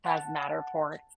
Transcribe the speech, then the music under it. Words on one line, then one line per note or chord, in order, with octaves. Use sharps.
has Matterports
F#5 A5